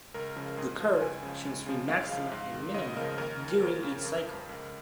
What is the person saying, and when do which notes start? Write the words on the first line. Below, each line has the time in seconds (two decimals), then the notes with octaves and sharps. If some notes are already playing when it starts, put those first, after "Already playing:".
The curve shows three maxima and minima during each cycle.
0.14 C#2 A#4
0.36 C#3 F3
0.57 G#2 G#4
0.79 F3
1.00 C#2 G#5
1.23 C#3 F3
1.45 C#2
1.66 C#3 F3
1.88 C#2 F5
2.09 C#3 F3
2.31 G#2
2.53 D#3
2.74 C#2 D#5
2.96 C#3 F3 A#4
3.18 D#2 A#4
3.40 D#3
3.62 D#2
3.83 C#3 F3
4.05 F2
4.27 F3
4.49 C#2